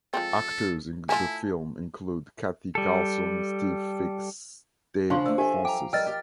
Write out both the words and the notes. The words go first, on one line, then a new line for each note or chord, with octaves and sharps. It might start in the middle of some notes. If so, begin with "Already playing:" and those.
Actors in the film include Cathy Carlson, Steve Fix, Dave Fraunces.
F3 G#3 C4 A4
A3 E4 F4 G#5 A5
G3 A4
C#3 F3 D4 F5 C6 C#6
D3 A3 E6
G4 A4 E5 G#5
G5 A#5 D6
G3 A#4 D#5 G5 E6 F6 A6
G4